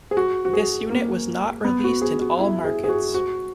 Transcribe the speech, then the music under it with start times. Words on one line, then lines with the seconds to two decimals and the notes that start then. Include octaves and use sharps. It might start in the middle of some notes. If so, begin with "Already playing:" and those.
This unit was not released in all markets.
0.11 G#4
0.17 F#4
0.45 F#4
0.53 G#4
0.90 A#3
1.64 B3
1.84 F#4
2.02 G#4
2.21 F#4
2.39 E4
2.64 G#4
2.84 G#4
2.89 F#4
3.14 F#4